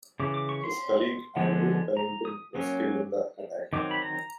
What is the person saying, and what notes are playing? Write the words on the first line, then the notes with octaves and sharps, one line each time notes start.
His colleague, Andrew Pennington, was killed in the attack.
C#3 E3 D6
D6
C#6
C6
D3 F3 G#3 B3
A#5
D#6
F#3 A#3 C#4
D#3 F#3 C4 D6
B5
A#5